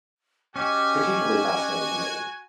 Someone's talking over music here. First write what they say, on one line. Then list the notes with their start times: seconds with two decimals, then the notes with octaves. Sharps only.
particularly fascinating to me.
0.56 C#4 F#4 G4 D#5 G#5